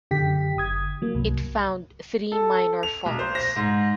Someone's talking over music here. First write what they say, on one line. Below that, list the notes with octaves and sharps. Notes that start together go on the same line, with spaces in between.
It found three minor faults.
F#2 D3 G4 G5 B6
G1 D#6 G#6
F#3 A#3
C2 G2
A4
F7
B1
C5
A#6
G#2